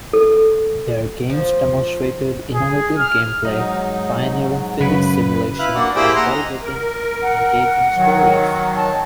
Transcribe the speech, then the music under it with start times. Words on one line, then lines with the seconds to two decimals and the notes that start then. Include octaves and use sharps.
Their games demonstrated innovative gameplay, pioneering physics simulation, and well-written, engaging stories.
0.13 A4
1.30 F3
2.53 G#4
2.98 F6
3.45 G#2 F#3 D#4
4.81 F#2 C#3 B4
5.59 E4 B4 F5 F#6
5.75 A#3 D4 F#4
5.95 A#3 E4 G4 G#4 C5 G5
6.16 F#5 A#5 C6
6.30 D#5 A#5
6.63 A#4
7.22 F#5
7.96 D#3 F#3
8.77 A5